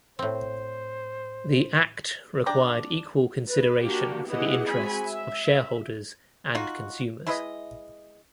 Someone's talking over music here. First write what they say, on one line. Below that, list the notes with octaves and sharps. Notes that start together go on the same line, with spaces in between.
The Act required equal consideration for the interests of shareholders and consumers.
A2 C4 C5
D4 D5 G5 A#5
B4
A#3 D4 F#4 G4
B3 E4 G4 G#4 D#5 F#5
G#3 C4 F#4 G#5 B5
E5
D#4 F4 F#4
G#3 E4 B4 D#5